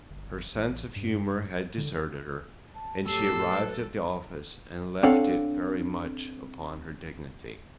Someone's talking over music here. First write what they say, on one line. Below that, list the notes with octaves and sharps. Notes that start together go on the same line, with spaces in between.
Her sense of humour had deserted her, and she arrived at the office and left it very much upon her dignity.
G1
A1
G2
D3
A5
A2 F#3 G4 A4 A5 E6 C7
B4
C4 D4 A4 C#5 F5 F#5